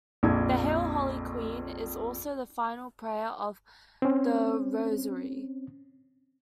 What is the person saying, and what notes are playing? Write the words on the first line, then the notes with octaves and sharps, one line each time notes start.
The "Hail Holy Queen" is also the final prayer of the Rosary.
A#1 F2 G#6
C4 C#4